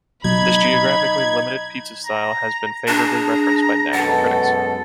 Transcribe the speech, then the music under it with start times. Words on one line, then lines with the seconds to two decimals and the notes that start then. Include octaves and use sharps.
This geographically limited pizza style has been favorably referenced by national critics.
0.24 B2 F#3 D#4 B5 G#6
2.06 A#5
2.88 D4 G#4 A#5
3.93 F#2 B2 G#3 A4 F#5